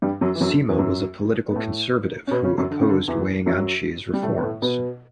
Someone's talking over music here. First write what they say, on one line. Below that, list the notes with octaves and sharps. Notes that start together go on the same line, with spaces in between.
Sima was a political conservative who opposed Wang Anshi's reforms.
G2 G3
F#2 F#3
E3
F#2 F#3
D3
D3
E2 E3
F#2 F#3
B3
A2 A3
C#4
B2 B3
C#3 C#4
F#2 F#3
D3
C#3
D3
E2 E3
F#2 F#3
G3
A2 A3
B3
A2 A3
B2 B3